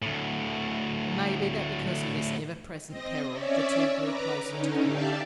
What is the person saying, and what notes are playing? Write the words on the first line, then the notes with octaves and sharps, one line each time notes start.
It may be that because of this ever present peril the two grew closer together.
D2 A2
C4 D#5 A#6
C#4 C#5 D5 E5
B4 A#5 D6
D3 C#4 D#4
G4 D5 E5 F5 G5 A5